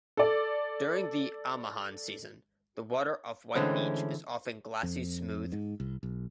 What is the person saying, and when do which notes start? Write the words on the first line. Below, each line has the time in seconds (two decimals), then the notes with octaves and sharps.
During the Amihan season, the water off White Beach is often glassy-smooth.
0.17 A4 D5
3.56 D3 E3 G#3 A3 C4 C#4
4.83 F2
5.52 G#2
5.80 C2
6.03 B1